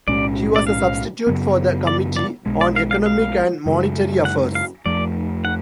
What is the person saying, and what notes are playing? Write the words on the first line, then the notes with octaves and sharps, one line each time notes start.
She was a substitute for the Committee on Economic and Monetary Affairs.
B1 A2 G#3 C#4 D5
D5
F5
F#2 C#3 F#3 B3
D5
D5
B1 B2 G#3
D5
F5
F5
F5
F#2 C#3 G#3
F#5
F5
F2 F3 A3 D5
F#5